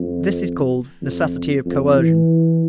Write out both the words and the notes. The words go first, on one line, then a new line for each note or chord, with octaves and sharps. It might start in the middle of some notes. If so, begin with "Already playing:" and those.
This is called "necessity of coercion."
Already playing: F2
F2
F2
E3